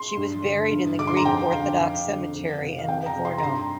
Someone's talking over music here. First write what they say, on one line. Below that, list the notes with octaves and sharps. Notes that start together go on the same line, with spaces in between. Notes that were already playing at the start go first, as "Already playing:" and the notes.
She was buried in the Greek Orthodox cemetery in Livorno.
Already playing: C6
G2
D3
G2
D3 D6
C6
A#5
F2 G5
D3 F5
F2
D3
F2
C3
F5
F2 G5
A#5
C3
C6
A#5
G2 C6